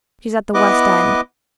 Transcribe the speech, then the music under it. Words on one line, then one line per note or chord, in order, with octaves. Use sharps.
She's at the West End.
B3 E4 B4 D#5 D6